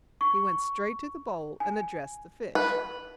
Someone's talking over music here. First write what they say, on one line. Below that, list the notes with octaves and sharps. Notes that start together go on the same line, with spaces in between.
He went straight to the bowl and addressed the fish.
C#6
G#5
B4